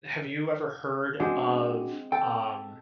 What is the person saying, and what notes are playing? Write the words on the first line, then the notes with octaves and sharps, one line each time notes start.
have you ever heard of, um,
G#3 C4 D4 F#4
A4 G5